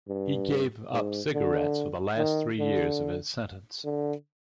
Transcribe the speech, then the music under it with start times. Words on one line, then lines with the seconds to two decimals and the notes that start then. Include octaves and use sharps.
He gave up cigarettes for the last three years of his sentence.
0.08 G2
0.92 G#2
1.34 D3
2.17 D#3
2.59 D3
3.84 D3